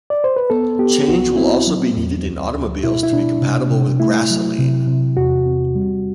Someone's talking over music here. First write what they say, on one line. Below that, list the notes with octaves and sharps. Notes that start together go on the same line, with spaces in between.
Change will also be needed in automobiles to be compatible with grassoline.
D5
C5
B4
B3 A4
B3 G4
C2 F#4
C4 E4
F#3
E2
D2
D2
B2 E4
E4
B2 D4
C3
C3
A3 E4
F#3
C3
C3
E2 F#4
C4
G3